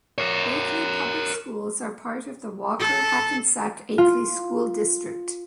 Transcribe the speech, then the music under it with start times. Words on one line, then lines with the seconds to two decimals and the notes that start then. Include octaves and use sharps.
Akeley Public Schools are part of the Walker-Hackensack-Akeley School District.
0.18 A#4 C#5
2.79 A4
3.98 F4